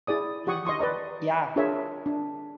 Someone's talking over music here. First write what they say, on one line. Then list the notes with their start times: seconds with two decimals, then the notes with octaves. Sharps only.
Mhm. Yeah.
0.07 E4 G#4 D5 D#6
0.47 G4 F#5 C#6 D#6
0.65 D#5 C6 C#6 D#6
0.79 B4 D5 D#5 A#5
1.56 D4 F4 G#4 A#4 C#5 E5
2.06 D4